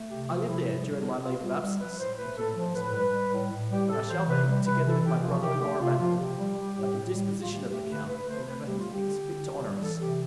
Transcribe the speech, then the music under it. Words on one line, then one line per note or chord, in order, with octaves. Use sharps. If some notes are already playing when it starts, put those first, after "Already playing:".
"I live there during my leave of absence," continued Maximilian; "and I shall be, together with my brother-in-law Emmanuel, at the disposition of the Count, whenever he thinks fit to honor us."
Already playing: A3
C3 G4
F3 F4
C3 E4
G3 E4
G3
B2
B2 F4
G3 F4
G3
F3 B4
A2 C5
A3 B4
A2 A4
F3
A2 B4
G3 B4
G3
A2
A2
G3 G4
G3 A4
E3 C5
C3 B4
G3
C3 B4
E3 A4
C3 G4
F3 F4
C3 G4
A3 G4
C3 F4
F3 F4
C3 G4
G3
G3
A2
A2
G3
G3
F4
A3 G4
A3 G4
D3 B4
D3 B4
A3 C5
A3 B4
G3 G4
F4
G3
G4
D3
D3
G3
G3
E3 A4
C3 G4